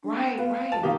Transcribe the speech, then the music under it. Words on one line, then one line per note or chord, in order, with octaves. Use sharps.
Right, right.
D4
G5
B3 F5
A5
D#3 A#3 G4